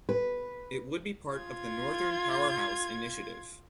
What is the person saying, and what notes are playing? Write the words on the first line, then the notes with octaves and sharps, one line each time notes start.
It would be part of the Northern Powerhouse initiative.
B4
F4 G#6